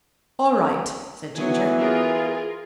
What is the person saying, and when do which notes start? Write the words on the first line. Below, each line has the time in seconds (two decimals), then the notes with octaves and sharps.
"All right," said Ginger.
1.35 E3 F#3 B3 G#5
1.77 F4 G#4 A#4